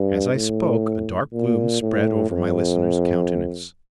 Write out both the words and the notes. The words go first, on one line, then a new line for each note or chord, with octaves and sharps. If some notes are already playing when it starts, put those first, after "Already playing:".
As I spoke, a dark gloom spread over my listener's countenance.
Already playing: G2
A2
A#2
A2
F2